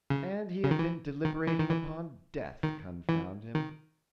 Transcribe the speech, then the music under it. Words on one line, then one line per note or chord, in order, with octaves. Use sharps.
And he had been deliberating upon death--confound him!
C#3
C#3
D#3
E3
D#3
E3
D#3
E3
D#3
E3
D#3